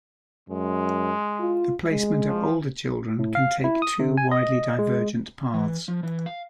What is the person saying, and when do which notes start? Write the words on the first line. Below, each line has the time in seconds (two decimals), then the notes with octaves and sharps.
The placement of older children can take two widely divergent paths.
0.49 F#2 G#3
1.40 F4
1.89 G#3
2.28 F3
3.19 A2
3.35 F5
3.64 E4
3.82 D#6
3.99 C3
4.17 G#5
4.31 D#5
4.79 G#3
5.54 E3
5.88 F3
6.03 E3
6.26 F5